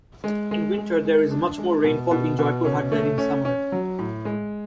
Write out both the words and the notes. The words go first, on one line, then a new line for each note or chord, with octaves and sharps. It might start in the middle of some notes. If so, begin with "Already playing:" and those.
In Winter there is much more rainfall in "Joypurhat" than in Summer.
G#3
G#3
G#3
G#3
D4
G#3
B2
B2
B2
C#4
A3
C#4
C#4
F#3
A2
G#3